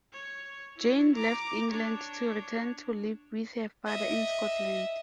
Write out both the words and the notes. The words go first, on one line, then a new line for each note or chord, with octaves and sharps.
Jane left England to return to live with her father in Scotland.
C#5
E4 C#5
A#5 D6
D4 C#5
D#5 E5